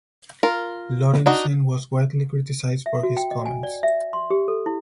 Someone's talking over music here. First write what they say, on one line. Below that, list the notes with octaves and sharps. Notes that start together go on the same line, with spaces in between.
Lorentzen was widely criticized for his comments.
F4 A#4
D4 D#4 F#4
E5
F#4
G5
D#5
G#5
D5
E5
C6
G4
A4
E4